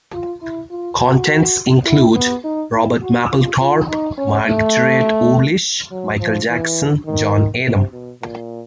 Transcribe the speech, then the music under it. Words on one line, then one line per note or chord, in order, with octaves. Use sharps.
Contents include: Robert Mapplethorpe, Margret Urlich, Michael Jackson, John Adam.
F4
E4
F4
F#4
E4
B3
D#4
E4
F#4
F4
F4
D#4
C#4
A3
F#3
F3
E3
D#3
C3
B2
A#2